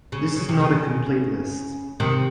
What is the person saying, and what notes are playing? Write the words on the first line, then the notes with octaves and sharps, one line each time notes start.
This is not a complete list.
C#3
C#3
C3
C#3
C3 D#3